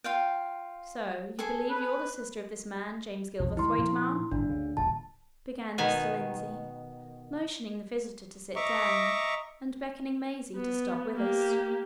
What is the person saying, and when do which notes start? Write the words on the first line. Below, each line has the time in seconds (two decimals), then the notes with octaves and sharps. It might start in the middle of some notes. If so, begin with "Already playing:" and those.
"So you believe you're the sister of this man James Gilverthwaite, ma'am?" began Mr. Lindsey, motioning the visitor to sit down, and beckoning Maisie to stop with us.
0.04 F4 F5 G5
1.39 G#4 A4 G#5
1.70 B4
3.39 B1 F2
3.57 D#3 G#3 E4 C6
3.78 A#2 F3 A#3
4.31 G1 A2 D4
4.49 D2 C#3
4.77 D#1 A#2 C#3 A5
5.78 B2 D#3 B3 G#5
8.56 D#5 E5 A#5 C#6 D6
10.56 B3
11.15 A#3 G4